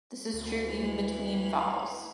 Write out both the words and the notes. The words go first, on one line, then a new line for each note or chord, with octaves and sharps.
This is true even between vowels.
D2
E3